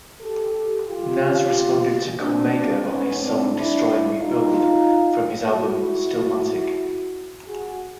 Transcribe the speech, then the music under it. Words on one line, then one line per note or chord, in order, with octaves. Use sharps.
Nas responded to Cormega on his song "Destroy and Rebuild" from his album "Stillmatic".
G4 A4
F4 G4
C4 D4
B3 C#4
C4 D4
D4 E4
D#4 F4
E4 F#4
F#4 G#4